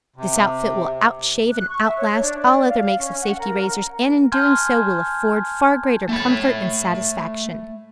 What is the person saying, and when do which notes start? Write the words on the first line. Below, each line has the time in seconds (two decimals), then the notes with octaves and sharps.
This outfit will out-shave and out-last all other makes of safety razors and, in doing so, will afford far greater comfort and satisfaction.
0.16 C3
1.52 F#6
1.68 C#6
1.83 E5
1.97 C#5
2.21 D4
2.39 D5
2.68 F5
2.98 C#4
3.21 F#5
3.38 A#4
4.32 G#5 A5 C6 F6 G6 G#6
6.09 A3 B5